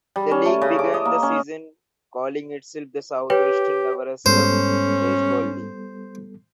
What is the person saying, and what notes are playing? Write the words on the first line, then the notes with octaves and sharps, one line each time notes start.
The league began the season calling itself the Southwestern Nebraska Baseball League.
G3
C#4
A3
C#3
D6
D#5
A#3
C#4
G4 B4 C#5 G5
G#2 G3 B3 C#4 A4 C5